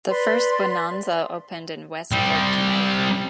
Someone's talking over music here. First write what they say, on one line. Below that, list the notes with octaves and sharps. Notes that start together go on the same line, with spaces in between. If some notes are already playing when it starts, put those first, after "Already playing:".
The first Bonanza opened in Westport, Connecticut.
B4 D5 C6
G3 C4